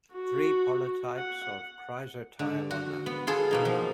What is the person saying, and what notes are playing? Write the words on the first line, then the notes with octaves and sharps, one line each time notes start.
Three polytypes of chrysotile are known.
F#4
F#5
D3
F#4
B3
F4 G#4 A4
B2 A#3 D#4
F3